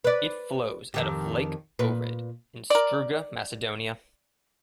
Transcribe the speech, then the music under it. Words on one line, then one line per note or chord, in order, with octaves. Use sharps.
It flows out of Lake Ohrid in Struga, Macedonia.
B4 D5
F2 D#3 G4
A#2 B4
A#4 D5